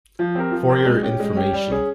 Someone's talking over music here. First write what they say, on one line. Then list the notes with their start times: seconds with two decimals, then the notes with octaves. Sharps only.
For your information.
0.19 F3
0.35 C4 G4 A#4
0.51 F3
0.69 C4 G4 A#4
0.86 G#3
1.03 C#4 G4
1.20 G#3
1.35 C#4 G4
1.53 G3
1.70 C#4 G#4